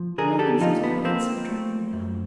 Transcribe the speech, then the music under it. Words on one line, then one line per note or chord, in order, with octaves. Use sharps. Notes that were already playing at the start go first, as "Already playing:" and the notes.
Nothing seems quite so dreadful now.
Already playing: F3
D3 G#4 A#4
G4 A4
F3 D#4 F4
B3
F3 A#3 C4
A3
F#2